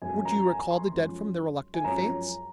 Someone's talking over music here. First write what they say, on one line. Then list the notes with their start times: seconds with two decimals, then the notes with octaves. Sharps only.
Would you recall the dead from the reluctant fates?
0.02 F#2 F3 G#3 C#4 G#5
0.25 A#5
0.47 G#5
0.71 C6
0.93 F#2 F3 G#3 C#4
1.74 G#5
1.84 F#2 F3 G#3 C#4 A#5